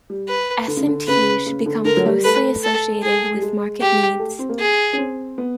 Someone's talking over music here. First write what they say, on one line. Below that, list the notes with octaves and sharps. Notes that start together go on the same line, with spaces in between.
S and T should become closely associated with market needs.
G3
B4
D3
C#3
D3
C#3 B4
C#3
D3
D3 A#4
F#3
G3
A3 B4
A4
G#4
G3
G#3
G4
A3
C4
A#3
G#4
C#4
C4
B3